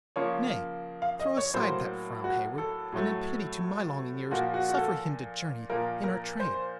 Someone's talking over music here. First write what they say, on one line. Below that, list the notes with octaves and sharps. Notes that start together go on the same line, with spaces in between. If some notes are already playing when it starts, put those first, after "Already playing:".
Nay, throw aside that frown, Heyward, and in pity to my longing ears, suffer him to journey in our train.
C#3 F3 A#3 C#5
F5
D#5
C#5
A2 F#3 A#3 C5
F#4
A4
A2 F#3 A3
A#2 F3 A#3 F#4
F#4
F#4
A4
A#2 F3 A#3 A#4
A#4
C5